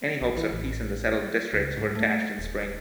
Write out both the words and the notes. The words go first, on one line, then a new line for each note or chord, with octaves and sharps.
Any hopes of peace in the Settled Districts were dashed in spring.
A#1
E3
A1
C#2
G#2
A3
D#1